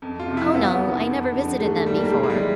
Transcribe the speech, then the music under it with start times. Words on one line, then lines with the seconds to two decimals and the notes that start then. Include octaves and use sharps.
"Oh, no. I never visited them before."
0.02 F2
0.19 F4
0.28 C3 F3
0.37 E4
0.54 E2 B3
0.81 C3 D#3
1.07 F2
1.33 D3 F3
1.60 G#2 A3
1.86 D#3 G3
1.97 A#3
2.05 A3
2.12 A2 G#3
2.23 G#3
2.30 G3
2.40 E3